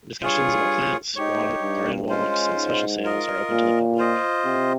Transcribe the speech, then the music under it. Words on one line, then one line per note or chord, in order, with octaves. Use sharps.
Discussions about plants, garden walks and special sales are open to the public.
G2 F4 G#4 C#5
G#2 D#4 G4 C#5
G2
G#3 C#4 F4 C5
G#2
F4 A#4 D#5
A#2
F4 C5 D#5
C3